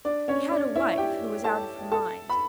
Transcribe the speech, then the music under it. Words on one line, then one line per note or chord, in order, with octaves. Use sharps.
He had a wife who was out of her mind.
D4 D5
C#4 C#5
D4 D5
E4 E5
G4 G5
A4 A5
A4 A5
B5